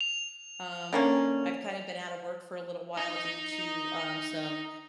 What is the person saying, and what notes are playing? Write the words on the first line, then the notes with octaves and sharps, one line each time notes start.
Um, I've kind of been out of work for a little while due to, um, some,
F7
D3 A#3 C#4
D#4 D#5